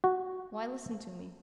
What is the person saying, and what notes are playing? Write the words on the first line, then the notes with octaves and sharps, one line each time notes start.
Why listen to me?
F#4